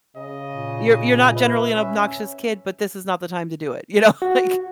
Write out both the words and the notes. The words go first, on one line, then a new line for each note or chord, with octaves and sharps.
you're you're not generally an obnoxious kid, but, this is not the time to do it," you know, like
C#3 D#5
A#2
B4 E5
C#4
F#4